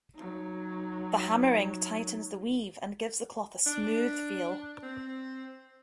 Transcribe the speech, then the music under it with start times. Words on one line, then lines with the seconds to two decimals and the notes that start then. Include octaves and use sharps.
The hammering tightens the weave and give the cloth a smooth feel.
0.15 F#3 D#4
3.66 D4
4.83 C4